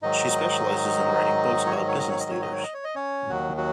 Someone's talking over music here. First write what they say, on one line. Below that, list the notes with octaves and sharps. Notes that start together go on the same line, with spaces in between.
She specializes in writing books about business leaders.
G#2 D#3 F#3 D#4 D#5
C#5
D#5
C#5
D#5
C#5
D#5
C#5
D#5
C#5
D#5
C#5
D#5
C#4 C#5
D#2 D#3 F#3 F#4
F#3 F#4